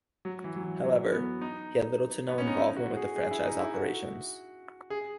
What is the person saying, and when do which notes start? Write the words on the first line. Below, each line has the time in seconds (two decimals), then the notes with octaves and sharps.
However, he had little to no involvement with franchise operations.
0.25 F#3
0.44 E3
0.56 F#3
0.64 E3
0.84 F#3
1.12 B3
1.41 D#4
2.29 B3
2.38 C#4
2.47 D#4
2.58 E4
2.77 F#4
2.96 G#4
3.16 G#4
3.31 E4
3.45 D#4
3.60 E4
3.74 F#4
4.90 G#4